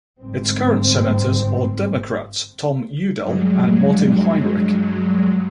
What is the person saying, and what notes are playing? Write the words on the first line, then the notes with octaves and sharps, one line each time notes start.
Its current Senators are Democrats Tom Udall and Martin Heinrich.
G1 G#2 C4
G2 F#3 G#3